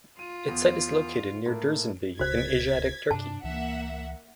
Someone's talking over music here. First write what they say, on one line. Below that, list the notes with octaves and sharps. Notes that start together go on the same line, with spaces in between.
Its site is located near Dursunbey in Asiatic Turkey.
F4 D#7
E2
A2 A#3
D1 C#2 C#3 F#4 C5 G#6 A6 B6
G2 C3 D4 A5
C#2 E3 A#3 E5 F#5